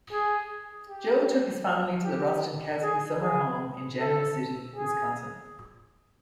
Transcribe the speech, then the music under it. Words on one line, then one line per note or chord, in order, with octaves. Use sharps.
Joe took his family to the Rostenkowski summer home in Genoa City, Wisconsin.
G#4
G4
G4
G#4
G#4
A4
G#4